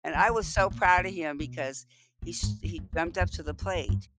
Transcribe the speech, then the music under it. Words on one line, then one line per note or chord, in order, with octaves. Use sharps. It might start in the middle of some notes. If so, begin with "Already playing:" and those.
and I was so proud of him because he s he jumped up to the plate.
F3
E3
D#3
A#2
A#2
A2
A#2
B2
A#2
G#2
G2
F#2
E2
F2
F#2
E2
F2
F#2
G2
G2